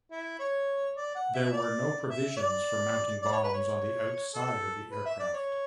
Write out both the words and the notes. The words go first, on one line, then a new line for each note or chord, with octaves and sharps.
There were no provisions for mounting bombs on the outside of the aircraft.
E4
C#5
D5
F#5
E5
D5
E5
D5
D5
C#5
B4
C#5
A4
B4
E5
D5
C#5